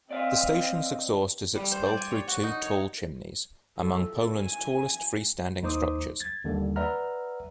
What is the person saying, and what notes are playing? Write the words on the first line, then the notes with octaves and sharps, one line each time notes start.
The station's exhaust is expelled through two tall chimneys, among Poland's tallest free-standing structures.
C4 D5 D#5 F5
G3
C5
D5
G#5
C#5
F#4
D#4
C#5
A4
G#5
D#2 D#4 C5 D6 D#6
G#6 A6
D#2 D3 G3
B4 D5 E5 F#5 A#5 F6